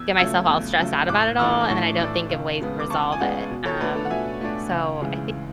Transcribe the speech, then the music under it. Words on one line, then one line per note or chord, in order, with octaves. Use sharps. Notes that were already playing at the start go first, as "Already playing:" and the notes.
get myself all stressed out about it all, and then I don't think of ways to resolve it. Um, so I think
Already playing: E2 E6 G#6
C#3 F#3 A3 E6 G#6
E2
C#3 F#3 A3
A2 D6 F#6
E3 A3 D4 C#6 E6
D6
A2 A5 C#6
E3 A3 D4
C#2
C#3 G#3 B3
D6
C#2 A5 C#6
G#5
C#3 G#3 B3 D5 F#5
B2
A4 C#5
A3 D4 B4
A4
F#5
B2 E5 G#5
A3 D4
C#2
C#3 E3 G#3